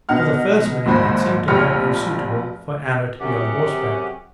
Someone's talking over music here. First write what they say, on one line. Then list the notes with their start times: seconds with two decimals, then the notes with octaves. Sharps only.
For the first minute it seemed to her unsuitable for Anna to be on horseback.
0.09 B2 B3 D#4 F#5 F6
0.86 A#1 D#2 G#2 F#4 C5 B5
1.48 F1 A#1 F3 G4 F6 C#7
3.21 F#2 C3 C#4 G4 G#4 F#5